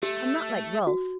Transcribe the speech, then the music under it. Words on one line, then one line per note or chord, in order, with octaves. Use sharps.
I'm not like Ralph.
A3 G4
F#4